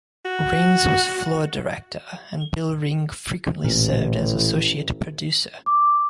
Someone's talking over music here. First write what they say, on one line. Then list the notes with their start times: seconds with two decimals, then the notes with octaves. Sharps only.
Rains was floor director and Bill Ring frequently served as associate producer.
0.25 F#4
3.64 A1 A#2
5.66 D6